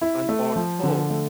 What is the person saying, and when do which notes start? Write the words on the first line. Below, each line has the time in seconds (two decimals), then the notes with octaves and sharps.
An art hole.
0.01 E4
0.29 A3
0.56 F3
0.83 D3
1.10 A3